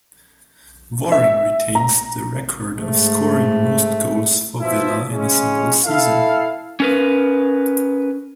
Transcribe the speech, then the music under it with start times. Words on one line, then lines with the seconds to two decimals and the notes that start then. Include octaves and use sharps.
Waring retains the record of scoring most goals for Villa in a single season.
1.12 E5
1.75 A#5
2.78 G#2 A3
4.60 B2 F3 E4 E5
5.11 C#3 G#3 C#4
5.85 E4 A4 F5
6.80 C#4 A#4 B4